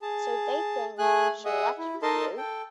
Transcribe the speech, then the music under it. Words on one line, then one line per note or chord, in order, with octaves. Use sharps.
So they think she left it with you.
G#4 A5
A3 G#4 G#5 F#6
G#4 D#5 E5 F#5 D#6
E4
D#4 A4 A#4 D#5 A5 C6
A4 G5